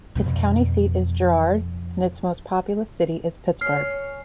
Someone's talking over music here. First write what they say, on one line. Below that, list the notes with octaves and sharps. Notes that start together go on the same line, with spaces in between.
Its county seat is Girard, and its most populous city is Pittsburg.
F2 B2
C#4 C#5 F6 C7